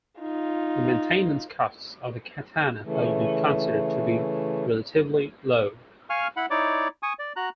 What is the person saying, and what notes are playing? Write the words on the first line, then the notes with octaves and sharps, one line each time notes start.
The maintenance costs of the Katana have been considered to be relatively low.
D#4 F4
C#3 E3 A3
F5 G#5 C#6 F6
E4 F#5 B5
D#4 E4 C#5 D5 D6
G#5 C#6 D#6
D5
F#4 A#5 F#6